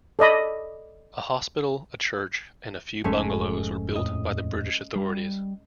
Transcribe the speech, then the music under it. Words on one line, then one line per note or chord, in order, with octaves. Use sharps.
A hospital, a church, and a few bungalows were built by the British authorities.
A4 D5 D#5 B5
F1 F2 G#2 G#3 A3 C#4
D#1 F2 A2 D#5
G3